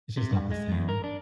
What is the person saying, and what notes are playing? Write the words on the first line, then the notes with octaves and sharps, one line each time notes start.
It's just not the same.
C3
G2
G#3
E2
A#4
D4